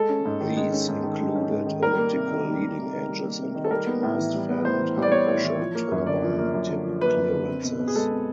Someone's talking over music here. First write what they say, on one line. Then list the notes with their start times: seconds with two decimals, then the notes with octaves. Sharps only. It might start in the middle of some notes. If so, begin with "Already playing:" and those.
These included elliptical leading edges and optimised fan and high-pressure turbine tip clearances.
Already playing: G#3 A4
0.09 C#4
0.25 G#2
0.40 D#3
0.57 G#3
0.72 C#4
0.89 G#2
1.03 D#3
1.20 G#3
1.35 C#4
1.51 G#2
1.67 D#3
1.83 G3 A#4
1.98 A#3
2.13 C3
2.30 D#3
2.45 G3
2.61 A#3
2.77 C3
2.92 D#3
3.08 G3
3.24 A#3
3.39 C3
3.55 D#3
3.64 A4
3.71 G3 A#4
3.86 B3
4.03 A2
4.18 E3
4.34 G3
4.49 B3
4.65 A2 C5
4.80 E3
4.97 G3
5.02 D5
5.12 B3 C#5
5.28 A2
5.43 E3
5.59 F3
5.75 A#3
5.91 F#2
6.07 D3 D5
6.23 F3
6.38 A#3
6.54 F#2
6.69 D3
6.85 F3
7.01 A#3 B4
7.17 F#2
7.33 D3
7.48 C4
7.64 B2
7.79 B2
7.87 G#4
7.95 G#3 A4
8.11 C4